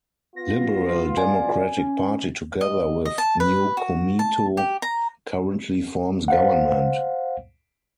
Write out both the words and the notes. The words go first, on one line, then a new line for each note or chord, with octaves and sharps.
Liberal Democratic Party together with New Komeito currently forms government.
B3 F4 A#6
D5 G#5
C#4
D#5
D#5
A5
B4
F#4
A5
G4
A#5
C5 F5 F#5